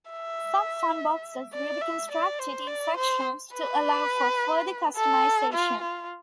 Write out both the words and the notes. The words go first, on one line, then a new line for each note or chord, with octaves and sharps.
Some funboxes will be constructed in sections to allow for further customization.
E5
D5
E5
D5
C5
D5
C5
B4
A4
F4
F4